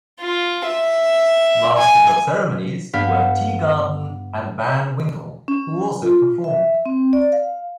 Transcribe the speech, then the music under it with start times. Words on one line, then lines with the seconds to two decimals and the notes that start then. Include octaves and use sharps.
Masters of ceremonies were Teegarden and Van Winkle, who also performed.
0.20 F4
0.66 E5
1.77 G#5
2.93 G2 B3 F5 B6
5.48 C#4
6.03 F4
6.44 E5
6.86 C4
7.13 D5
7.32 F5